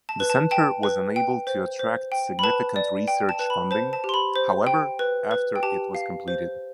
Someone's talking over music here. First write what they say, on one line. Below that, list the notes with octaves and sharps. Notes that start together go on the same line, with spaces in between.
The center was unable to attract significant research funding, however, after it was completed.
A5
B4
A5
G5 A5
B4
G5
C5
C5
G5
B5
B4 A5
D5
G5
A5
B4 A5
B5
C5 A5
A5
G4
C6
B5
C5
G5
B4
B4
G5
G4 A5
F5
C5